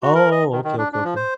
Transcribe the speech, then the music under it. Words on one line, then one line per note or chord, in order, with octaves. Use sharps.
Oh, okay, okay, okay.
F#4
A#4
D#5
D#3
D#3
D4
D4
F3
C5